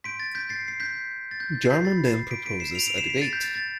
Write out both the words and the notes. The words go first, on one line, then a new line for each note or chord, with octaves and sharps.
Jarmon then proposes a debate.
C6 G6 B6 D7
A6
G6 B6
A6 C7
C7
G6 B6
A6
G6
A6
C7
G6 B6
B5 E6 G6 A6
A6 C7
B6 D7
B6 D7
C7 E7
D7 F7
D7 F7
C7 E7
B6 D7
A6
G6 B6
A6
A6